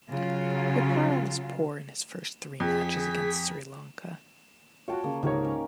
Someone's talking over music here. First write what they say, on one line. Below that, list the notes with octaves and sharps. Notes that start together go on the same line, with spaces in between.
Bopara was poor in his first three matches against Sri Lanka.
C#3 F#3 F4
F2 G#4 B6
F4 F#4 C#5 G5 A5
C#3 A#3
C#2 G#2 D#4 G4 A#4 C#5
C#4